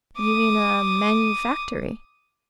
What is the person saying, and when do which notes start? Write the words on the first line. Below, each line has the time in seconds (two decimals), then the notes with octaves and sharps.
You mean a manufactory.
0.17 D6 D#6